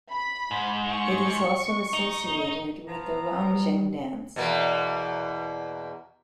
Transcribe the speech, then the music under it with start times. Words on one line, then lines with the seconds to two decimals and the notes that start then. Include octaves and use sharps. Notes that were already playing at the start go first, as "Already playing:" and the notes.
It is also associated with the Ronggeng dance.
0.11 B5
0.51 G#2
0.88 C#6
1.93 D#4
2.88 F3 B3 A#5
3.52 G3
4.36 E2 B2 A#3